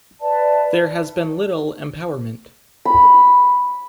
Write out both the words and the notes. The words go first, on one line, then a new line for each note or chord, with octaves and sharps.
There has been little empowerment.
B4 D5 E5 A5
B5